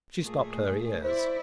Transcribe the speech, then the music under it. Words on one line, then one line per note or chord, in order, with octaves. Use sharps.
She stopped her ears.
A#2 A3 G#4
E4 C5 D5